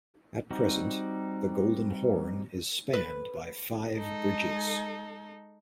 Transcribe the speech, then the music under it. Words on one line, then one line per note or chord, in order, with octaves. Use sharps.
At present, the Golden Horn is spanned by five bridges.
G3 C4 D#4 F#4
B4
G#3 D#4 A4